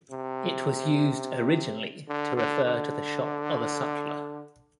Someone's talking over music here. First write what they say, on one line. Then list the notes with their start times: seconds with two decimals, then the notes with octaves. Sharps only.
It was used originally to refer to the shop of a sutler.
0.11 C3
2.08 D3
2.37 D3
2.65 D3